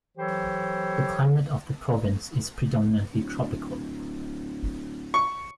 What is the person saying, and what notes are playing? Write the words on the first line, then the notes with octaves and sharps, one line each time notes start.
The climate of the province is predominantly tropical.
E3 F#3 G4 A4 C5 C#5
D1
C#6